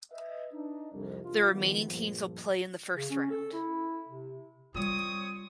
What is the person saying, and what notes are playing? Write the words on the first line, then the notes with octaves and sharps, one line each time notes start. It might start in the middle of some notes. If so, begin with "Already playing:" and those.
The remaining teams will play in the first round.
B4 D#5 E5
D4 D#4
C2 F2
C2 F4
D#3 F3 G3 G#3 A#3 B3
A#1 G2 F3
C#3
C#4
A4
E4
C3
G3 C4 F4 C#5 D#6